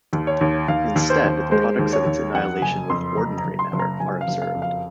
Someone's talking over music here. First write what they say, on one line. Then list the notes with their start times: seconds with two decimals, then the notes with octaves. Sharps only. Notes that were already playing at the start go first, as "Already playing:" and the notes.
Instead, the products of its annihilation with ordinary matter are observed.
0.13 D#2
0.27 C#5
0.41 D#2
0.68 D#2 F5
0.96 D#2
1.10 C5
1.24 D#2
1.51 G#3 C5
1.79 D#2
1.93 C#5
2.06 D#2
2.34 F2 F#5
2.62 F#1 G#5
2.90 F2 C6
3.17 F#1 A#5
3.38 A#5
3.45 F#1
3.59 C6
3.73 F#1
3.79 A#5
4.00 F#1 G#5
4.21 F5
4.28 F#1
4.42 F5
4.55 F2
4.62 F5